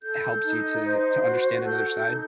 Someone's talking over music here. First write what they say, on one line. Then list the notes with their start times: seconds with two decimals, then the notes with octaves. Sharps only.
helps you to to understand another side,
0.01 A4 G6
0.42 D#4
0.82 C5
1.24 F#4
1.64 A4 G6
2.05 D#4